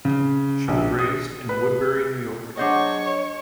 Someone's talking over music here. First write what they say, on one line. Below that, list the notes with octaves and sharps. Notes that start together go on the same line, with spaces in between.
She was raised in Woodbury, New York.
C#3
A#1
D#6
B4
F#3 D4 G#4 C5 C#5 D#5 F#5